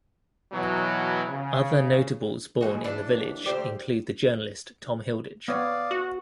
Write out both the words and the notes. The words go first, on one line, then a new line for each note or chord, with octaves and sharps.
Other notables born in the village include the journalist Tom Hilditch.
B2 E3 F#3
C#3
D#2 E3 G#3 F#4
C#2 E3 D4 E4
D#2
D2 G4 C5 D5
B3 C#5 D5 F5 D#6
F#4